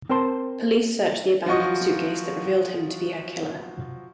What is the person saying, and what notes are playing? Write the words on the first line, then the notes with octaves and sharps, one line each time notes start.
Police searched the abandoned suitcase that revealed him to be her killer.
C4 A#4 C5 A5 C6
F3 F#3 F#4 D#5 C#6